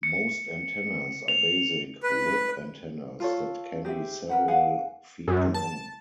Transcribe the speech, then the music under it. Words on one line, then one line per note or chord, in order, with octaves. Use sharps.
Most antennas are basic "whip" antennas that can be several feet long.
C#7
F7
B4
F4 A4 C#5
G4 G#4 C5 E5
A#4 B4 F#5
G#4 F5 F#5 G#5
F#2
A5